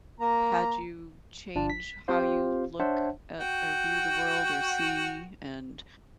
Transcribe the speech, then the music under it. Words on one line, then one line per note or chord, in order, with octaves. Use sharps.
had you change how you look at or, view the world, or see, and
A#3 A#5
G1 D4 F4 A5
B6
C4 F4 G4 C5 F5
D4 C5 C#5 E5 F#5 A5
F#4 G5